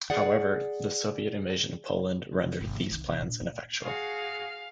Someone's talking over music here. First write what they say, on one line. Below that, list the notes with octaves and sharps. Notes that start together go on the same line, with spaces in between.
However, the Soviet invasion of Poland rendered these plans ineffectual.
G#4 D5 F#5
G1 B2
D#3 A3
C2 D#3
C3 B3
A#2 D4
D2
F#4 G#4 F5